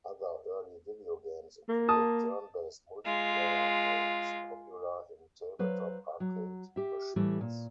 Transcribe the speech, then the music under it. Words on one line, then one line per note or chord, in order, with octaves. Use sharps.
Other early video games included turn-based multiplayer modes, popular in tabletop arcade machines.
A#3
A5 D#6
G#3 F4
F#3 B4 C5 F5
F#3
G4 E5
A2 E3 G3 A3
A#2